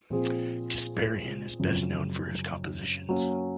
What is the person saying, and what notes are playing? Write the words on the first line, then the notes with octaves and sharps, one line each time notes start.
Kasparyan is best known for his compositions.
A#2 F3 C4 F4 G#4
F#2 C#3 F3 C4
F#3 A#3 C#4